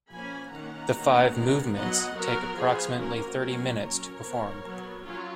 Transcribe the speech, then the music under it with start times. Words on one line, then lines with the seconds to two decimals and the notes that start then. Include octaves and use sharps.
The five movements take approximately thirty minutes to perform.
0.10 F3 A#3 C#4 G#5 B5
0.51 D#3 A#3 C#4 F#5 A#5
0.93 D#3 A#3 C#4
1.34 D#3 G#3 B3
1.75 F#3 B3 D#5 F#5
2.16 F#3 B3 F#4 A#4
2.57 F3 B3 F4 G#4
2.99 F3 A#3 C#4 F#4 A#4
3.40 F#3 A#3 C#4 F#4 A#4
3.81 F#3 C#4 A#4 C#5
4.22 F3 B3
4.64 F#3 B3
5.04 F#3 C#4 F4